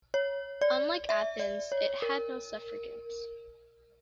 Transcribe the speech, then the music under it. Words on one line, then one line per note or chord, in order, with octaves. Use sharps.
Unlike Athens, it had no suffragans.
C#5
D5
E5
D5
C#5
A#4